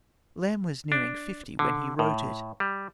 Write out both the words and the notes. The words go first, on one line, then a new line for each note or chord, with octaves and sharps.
Lamb was nearing fifty when he wrote it.
D4
D3
A2
G3